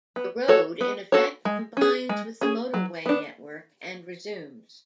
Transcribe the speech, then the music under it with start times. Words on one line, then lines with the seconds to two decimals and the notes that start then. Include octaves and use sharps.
The road in effect combines with the motorway network and resumes.
0.16 B3
0.48 F#4 A4 C#5
0.81 B3
1.12 F#4 A4 C#5
1.45 G#3
1.77 C#4 G#4
2.09 G#3
2.41 C#4 G#4
2.74 F#3
3.06 B3 D4